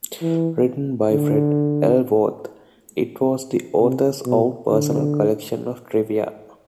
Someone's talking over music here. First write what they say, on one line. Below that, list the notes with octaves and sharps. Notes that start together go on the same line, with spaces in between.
Written by Fred L. Worth, it was the author's own personal collection of trivia.
E3
D3
C3
B2
D3